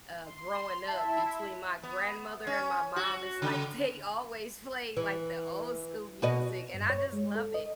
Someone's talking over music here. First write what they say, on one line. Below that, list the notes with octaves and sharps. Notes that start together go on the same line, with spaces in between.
uh, growing up between my grandmother and my mom, it's, like, they always play, like, the old school music, and I just love it.
C6
E4 E5 A5
B3
C#4
F#4
C#3
E3
B2 F#4 D#5
G2
C#5
G#3
A4
D#5